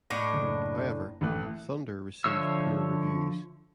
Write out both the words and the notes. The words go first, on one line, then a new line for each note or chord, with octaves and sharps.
However, "Thunder" received poor reviews.
A2 D4 D#5 A#6
F#1
A1 A3 F#6
D3 F3 C#5 E5 E6